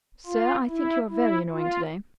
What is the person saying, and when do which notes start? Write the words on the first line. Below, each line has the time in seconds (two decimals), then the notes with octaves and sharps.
"Sir, I think you are very annoying to-day."
0.26 F4
0.69 E4
1.09 E4
1.52 F4